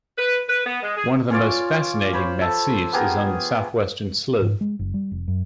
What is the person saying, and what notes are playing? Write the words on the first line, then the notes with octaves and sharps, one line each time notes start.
One of the most fascinating massifs is on the southwestern slope.
B4
B4
B3
G#3
G#4
C#4 F4 C#5 D5
C5 C#5 B5
A4
B3 G4 G#4 A#4
G#2
G#3
F#1
G3
F1
F#2